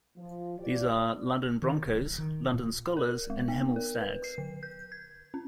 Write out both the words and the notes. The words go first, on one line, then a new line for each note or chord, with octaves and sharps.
These are, London Broncos, London Skolars and Hemel Stags.
F3
E3 F3 G4 D5
D#3
D#1
D#3
A#2
A#4
G#3
B3
A#4
B4
C7
D3
G6
G#6
C#4